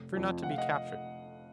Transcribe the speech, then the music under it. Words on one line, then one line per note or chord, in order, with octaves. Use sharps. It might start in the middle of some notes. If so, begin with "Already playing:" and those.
Fear not to be captured.
Already playing: F1
F2 F3
F1 F#5
F5
D#5 F#5